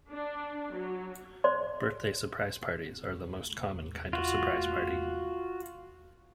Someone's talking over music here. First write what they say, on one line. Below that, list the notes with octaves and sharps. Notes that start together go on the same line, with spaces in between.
Birthday surprise parties are the most common kind of surprise party.
D4
F#3
C5 D5 C6
F4 F#4